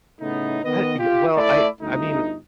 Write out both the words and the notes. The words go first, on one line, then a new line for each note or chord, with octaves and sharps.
I y well, I I mean,
A2 C#3 A3 B3 D#4
D#3 B3 B4 D#5
F4 G4
A3 E4 D5
G1 D2 A3 D#4